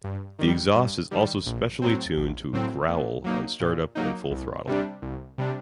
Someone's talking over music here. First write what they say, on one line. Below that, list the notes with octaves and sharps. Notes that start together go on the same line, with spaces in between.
The exhaust is also specially tuned to "growl" on start-up and full throttle.
G2
D#3 G3
G2
D#3 G3
A#1
A2 F#3 C4
A#1
A2 F#3 C4
A#2
F#3 A#3 D#4
A#2
F#3 A#3 D#4
C2
C3 G3 D4
C2
C3 G3 D4